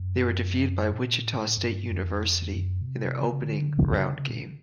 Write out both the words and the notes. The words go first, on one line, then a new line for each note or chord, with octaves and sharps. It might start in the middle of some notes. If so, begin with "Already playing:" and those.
They were defeated by Wichita State University in their opening round game.
Already playing: F#2
A#2
A2
G#2
A2
G2
F2
F#2
F2
F#2
B2
C3
C#3
C#3
D3
C#3
C#3
A#2